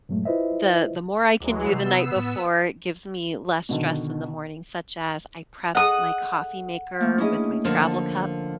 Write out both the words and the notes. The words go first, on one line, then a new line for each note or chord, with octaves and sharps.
the the more I can do the night before, it gives me less stress in the morning, such as, I prep my coffee maker with my travel cup,
G2 A#2 F#3 G#3 A3
E4 F4 B4 C5 D#5 E5
D2 E3 F#3 G#3
C3 B3 E6
A2
B2 D3 D#3
G#4 A4 D#5 F#5 D#6
A3 A#3
C#4 D4 E4 G#4 D#5
D3 F3 A#4 A5